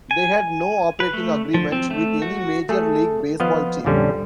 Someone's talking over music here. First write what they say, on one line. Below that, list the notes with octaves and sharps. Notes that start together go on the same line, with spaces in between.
They had no operating agreement with any Major League Baseball team.
G#5
B4
A3
F3
C4
A3
F#4
A3 G#4 A4
F3 B3 D#5 F5
A#1 F2 D3 G3 C#4